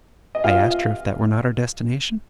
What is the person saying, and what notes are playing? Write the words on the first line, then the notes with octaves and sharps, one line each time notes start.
I asked her if that were not our destination?
D#5
F4 F5